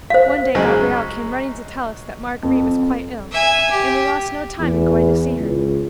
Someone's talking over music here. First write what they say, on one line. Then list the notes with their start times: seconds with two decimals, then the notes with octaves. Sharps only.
One day Gabriel came running to tell us that Marguerite was quite ill, and we lost no time in going to see her.
0.10 C5 F5
0.55 F#2 C#3 G#3
2.43 F2
3.31 E5 G#5
3.71 G4
4.60 E2
5.39 C#2